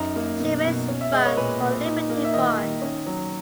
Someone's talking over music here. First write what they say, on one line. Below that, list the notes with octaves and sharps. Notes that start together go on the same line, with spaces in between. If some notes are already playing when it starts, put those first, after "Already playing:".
She raised funds for Liberty Bonds.
Already playing: F#2 D#4 A#5
A#3
B2
B2
C#4
E5
G#3 D#5
C#5
A#2 B4
A#2
D#4
A#3
E5
D#3 D#5
D#3
C#4
F#3